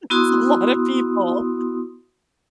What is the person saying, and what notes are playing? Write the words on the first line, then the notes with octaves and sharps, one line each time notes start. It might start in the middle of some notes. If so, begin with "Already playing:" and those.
That's a lotta people.
B3 E4 F#4 C6 D#6